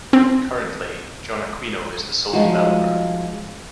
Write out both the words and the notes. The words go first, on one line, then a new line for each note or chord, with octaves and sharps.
Currently, Jon Aquino is the sole developer.
C4
F3 G3 G#3 D#4 F4 F#4